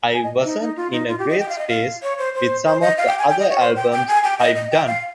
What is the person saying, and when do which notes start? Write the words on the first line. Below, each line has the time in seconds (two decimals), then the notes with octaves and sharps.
I wasn't in a great space with some of the other albums I've done.
0.14 G#5
0.24 D#5
0.45 D#4
0.61 D#4
0.77 F4
0.92 D#4
1.08 F4
1.19 G4
1.29 D#5
1.39 G5
1.49 F5
1.58 D#5
1.68 F5
2.03 C#5
2.19 C5
2.35 C5
2.66 C5
2.81 D#5
2.98 F5
3.08 G5
3.19 G#5
3.29 G5
3.40 D#5
3.50 C#5
3.60 C5
3.76 G5
3.92 G5
4.08 G#5
4.24 G5
4.39 D#5
4.55 D#5
4.71 G5
4.87 F5